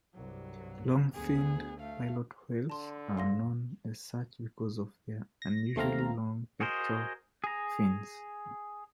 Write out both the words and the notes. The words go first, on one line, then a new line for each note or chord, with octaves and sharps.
Long-finned pilot whales are known as such because of their unusually long pectoral fins.
C2 G2 F#3
D2 B3 G#4
A3 F5
D3 A5 C6
F1 F#2 F5 C6 A#6
A#6
D#2 A3 C4 F5 A#5
F#4 G#4 A#4 C5 D#5
G#4 A#5